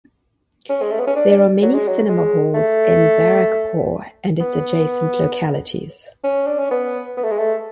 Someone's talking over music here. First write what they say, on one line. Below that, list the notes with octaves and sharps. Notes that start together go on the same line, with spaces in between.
There are many cinema halls in Barrackpore and its adjacent localities.
C#4
G#3
A3
B3
C#4
D4
F#3
G#3
F#3
G#3
A3
B3
C#4
D4
C#4
B3
B3
A3
G#3
A3